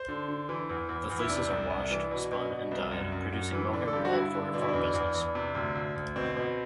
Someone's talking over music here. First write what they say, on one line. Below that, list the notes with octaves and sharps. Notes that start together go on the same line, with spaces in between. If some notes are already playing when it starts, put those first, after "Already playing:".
The fleeces are washed, spun and dyed, producing mohair wool for her farm business.
Already playing: C5
D3
D3
E3
E2
E2
E2
E4
C3 D4
C2
C2
E3
B2
B2
B2
C2
F#2
F#2
F#2
E3
D3 D4
A4
G2 G4
F#4
G2 E4
D3
B2 D4
E4
D4
E2
E2
E2
C3
D2
D2
D2
B2 C4
B2